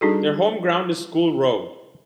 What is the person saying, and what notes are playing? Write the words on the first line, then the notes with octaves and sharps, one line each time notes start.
Their home ground is School Road.
G3 D4 D#4 F#4 G#4 A4